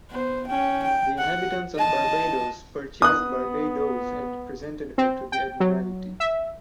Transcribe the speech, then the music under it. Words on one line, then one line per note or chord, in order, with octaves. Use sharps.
The inhabitants of Barbados purchased "Barbadoes" and presented her to the Admiralty.
B3 C5
C#4 G5
G5
F#5
D#5 A5
B3 D#6 F#6
C4
G5
F#3
E5